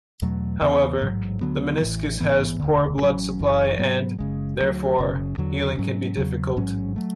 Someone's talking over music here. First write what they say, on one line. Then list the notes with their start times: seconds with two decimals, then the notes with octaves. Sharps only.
However, the meniscus has poor blood supply, and, therefore, healing can be difficult.
0.22 E2 B2 F#3 A3
0.62 E2 C#3 E3 B3
1.02 A1 G#2 F#3
1.41 D2 D3 F#3 B3
1.81 A1 A2 E3
2.20 A1 G#2 E3 B3
2.59 E1 D2 D3
3.00 A1 A2 F#3 C#4
3.39 F#1 F#2 E3
3.79 G#2 F#3 B3
4.19 F#1 E2 C#3 G#3
4.58 D2 C#3 F#3
4.98 F#1 F#2 C#3
5.38 E2 D3 F#3
5.77 G#2 F#3 C#4
6.17 E2 C#3 F#3
6.57 A1 G#2 F#3 C#4
6.96 F#3 A3